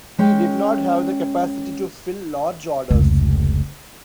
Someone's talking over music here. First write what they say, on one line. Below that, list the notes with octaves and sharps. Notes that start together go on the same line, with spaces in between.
He did not have the capacity to fill large orders.
G#3 C#4 G5
F1 C#2